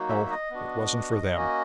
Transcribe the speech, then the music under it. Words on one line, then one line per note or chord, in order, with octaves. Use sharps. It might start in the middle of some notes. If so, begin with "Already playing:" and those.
No, it wasn't for them.
Already playing: F#3 A#3 D#4 F#4
E5
E5
D#5
B3 D4 F#4
A#3 C#4 F#4